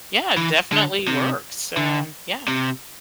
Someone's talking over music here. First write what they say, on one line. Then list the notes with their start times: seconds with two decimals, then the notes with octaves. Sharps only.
Yeah, definitely works. Um, yeah.
0.37 E3
0.72 D3
1.08 C3
1.77 D3
2.48 C3